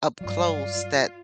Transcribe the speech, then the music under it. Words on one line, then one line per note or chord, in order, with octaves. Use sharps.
up close that
G2 F#3 F4 D5